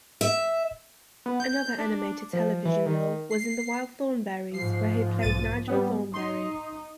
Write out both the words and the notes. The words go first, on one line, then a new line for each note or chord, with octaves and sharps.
Another animated television role was in "The Wild Thornberrys", where he played Nigel Thornberry.
E5
B3
G6
D4
F3
E3
D#3
C7
G#2 F3 C7
B1 A6 D#7
G3 B3
D#4 C6